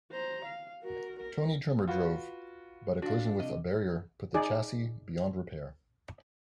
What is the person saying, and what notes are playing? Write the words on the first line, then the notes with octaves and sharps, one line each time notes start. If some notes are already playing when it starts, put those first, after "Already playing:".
Tony Trimmer drove but a collision with a barrier put the chassis beyond repair.
C5 A#5
F5
F#4 A#4
A#4
F4 F#4 B4
D4 F4 F#4
C3 D#5
D#4 G#4 D5